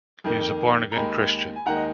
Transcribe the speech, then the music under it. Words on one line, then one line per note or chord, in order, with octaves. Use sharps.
He is a born-again Christian.
F2 D#3 A#3
A#5
D#2 D#3 G#3 G#5 B5
G#5
D#2 D#3 G#3 F#5 A#5
D#5